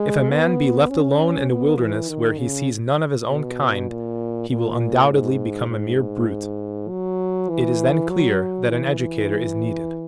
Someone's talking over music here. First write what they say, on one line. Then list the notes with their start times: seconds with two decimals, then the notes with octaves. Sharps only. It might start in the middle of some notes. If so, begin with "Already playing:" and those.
If a man be left alone in a wilderness where he sees none of his own kind, he will undoubtedly become a mere brute; it is then clear that an educator is needed.
Already playing: G#3
0.30 B3
0.89 C#4
1.48 B3
1.79 E3
2.09 D#3
2.39 C#3
3.29 B2
3.89 A#2
4.49 A#2
5.09 G#2
5.69 G#2
6.89 F#3
7.49 E3
8.10 F#3
8.69 E3
8.99 E3